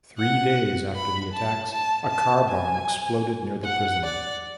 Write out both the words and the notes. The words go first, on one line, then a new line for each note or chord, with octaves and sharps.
Three days after the attacks, a car bomb exploded near the prison.
F#5
B5
A5
A5
A5
G#5
F#5
D5